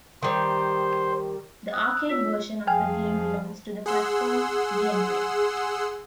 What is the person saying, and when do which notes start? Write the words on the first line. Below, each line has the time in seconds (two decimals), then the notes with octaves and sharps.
The arcade version of the game belongs to the platform genre.
0.23 D#3 G3 C5
1.73 D#6 E6 F#6
2.10 F4 C#5 E6 B6
2.67 F2 F3 G#4 F5 G5 G#5 F6
3.86 G#4 F#5 C6 E6